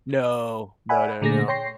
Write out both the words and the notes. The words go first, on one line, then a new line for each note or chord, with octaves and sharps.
No. No, no, no.
D5 E5 F#5 G#5 B5
A#2 D3 A3 G#4 A#6
C#5 G5 C6 A#6 C7